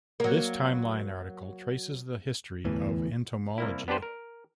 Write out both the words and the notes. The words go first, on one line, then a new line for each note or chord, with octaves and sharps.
This timeline article traces the history of entomology.
F#3 A#3
D1 E2 A2 E3
C2 A#3 E4
B3 D4 G4 B4 C5
A#4